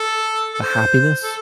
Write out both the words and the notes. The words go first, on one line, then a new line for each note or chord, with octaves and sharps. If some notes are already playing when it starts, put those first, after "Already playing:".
the happiness,
Already playing: A4
A4
C5
A4